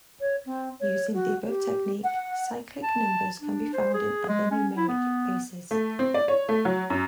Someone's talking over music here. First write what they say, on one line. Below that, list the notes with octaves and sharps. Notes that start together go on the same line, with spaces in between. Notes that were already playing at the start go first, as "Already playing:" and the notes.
Using the above technique, cyclic numbers can be found in other numeric bases.
C#5
C4
C#5
F#4
G4
F#5
A5
D4
C5
G#4
G#3
C#4
E4
B3
A3
C4
D5
C#5
A3
F#3
F#2